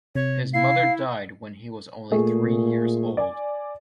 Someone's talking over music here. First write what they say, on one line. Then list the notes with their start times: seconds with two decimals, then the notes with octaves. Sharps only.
His mother died when he was only three years old.
0.15 C3 C#5
0.54 E4 F5 C7
2.12 A#2 A3 G#4
3.17 D5 G#5